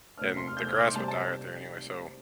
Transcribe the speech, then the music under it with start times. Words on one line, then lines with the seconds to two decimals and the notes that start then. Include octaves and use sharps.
and the grass would die out there anyway so
0.18 C3 A3 C4 F6
0.37 C6
0.48 F6
0.57 C3 A3 C4 G6
0.67 F6
0.77 D6
0.85 C6
0.96 C3 G3 C4 A5
1.08 A5